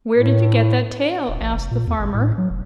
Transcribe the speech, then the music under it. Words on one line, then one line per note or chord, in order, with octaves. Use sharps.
"Where did you get that tail?" asked the farmer.
A2
D#1
A1
F1
A#2
E2
G#1
A2
F#3
F1